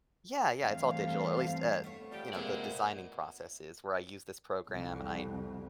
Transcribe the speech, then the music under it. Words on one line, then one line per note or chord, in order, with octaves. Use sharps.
Yeah, yeah, it's all digital. At least, uh, you know, the designing process is where I use this program and I
E2 G2 A3 C4 F5
A3 B3 C#5
F3 G3 G4
C3 G#3 A#3 B3 A#4 D5
C2 F2